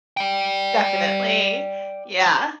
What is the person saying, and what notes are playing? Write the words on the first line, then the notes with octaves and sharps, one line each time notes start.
Definitely, yeah.
D5 G5